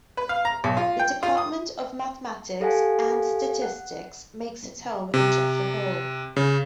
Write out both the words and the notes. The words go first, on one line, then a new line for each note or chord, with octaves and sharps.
The Department of Mathematics and Statistics makes its home in Jeffery Hall.
B4
F5
A#5
B1
F4
G5
F4
D#6
G4 A4 F5 F#5 G#5
F#5
C3
C#3